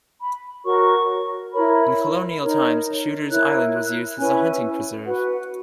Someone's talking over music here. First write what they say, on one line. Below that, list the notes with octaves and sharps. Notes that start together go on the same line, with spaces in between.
In colonial times Shooters Island was used as a hunting preserve.
B5
F#4 A#4 C#5 C#6
E4 A#4 C#5 B5
D#4 A#4 C#5
E4 A#4 C#5 F#6
F#6
C#4 E4 B4 G#5
F#4 B4 F#5